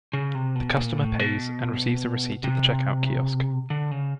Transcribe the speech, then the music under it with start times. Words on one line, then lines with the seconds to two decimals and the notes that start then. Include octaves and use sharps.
The customer pays and receives a receipt at the checkout kiosk.
0.13 C#3
0.35 C3
0.56 B2
0.77 A#2
0.98 A2
1.19 B2
2.44 C3
3.70 D3
3.91 C#3